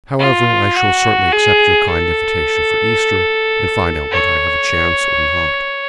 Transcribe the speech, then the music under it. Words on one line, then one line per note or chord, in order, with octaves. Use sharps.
However, I shall certainly accept your kind invitation for Easter, and find out whether I have a chance or not.
F4
F#4
G#4
A4
C#5